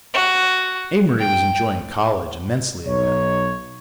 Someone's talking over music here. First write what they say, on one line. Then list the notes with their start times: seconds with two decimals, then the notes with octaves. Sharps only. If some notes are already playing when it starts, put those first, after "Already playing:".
Amory was enjoying college immensely again.
0.14 F#4
1.19 G5
2.86 B1 D#4 C#5